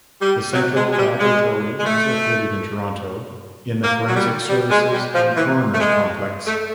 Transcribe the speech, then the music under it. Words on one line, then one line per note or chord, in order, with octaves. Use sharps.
The central laboratory is located in Toronto, in the Forensic Services and Coroner's Complex.
G3
F#3
G#3
G#3
G3
G#3
G#3
A3
A#3
F#3
G3
G3
G#3
G3
F3
E3
A3
G#3
A3